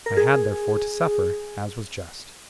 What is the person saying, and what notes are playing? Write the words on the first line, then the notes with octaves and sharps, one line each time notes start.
I had, therefore, to suffer, as was just.
A#4
G#4